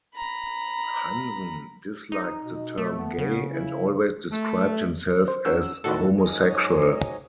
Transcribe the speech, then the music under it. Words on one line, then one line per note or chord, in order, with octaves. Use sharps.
Hansen disliked the term "gay" and always described himself as "homosexual".
A#5 B5
D#4
B2
A3
B3
C#3
E4
A3
C5
F3 F#3 C#4 E6
A2 D#3 F#4 A4 B4
G#2 F#3 C#5 D#5 G#5